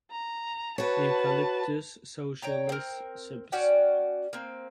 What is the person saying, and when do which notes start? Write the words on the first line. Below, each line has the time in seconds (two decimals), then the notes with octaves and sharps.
Eucalyptus socialis subsp.
0.11 A#5
0.78 F#4 B4 C#5 A5
2.42 C#5 G5 A#5
2.69 C4 A#4
3.52 C#4 F#4 D5 G5
4.33 A#3 C4